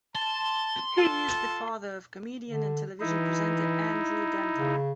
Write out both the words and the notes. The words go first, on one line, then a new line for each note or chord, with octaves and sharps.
He is the father of comedian and television presenter Andrew Denton.
A5 C6
F4 A4 A5
D3
E3 D#4 E4
C#3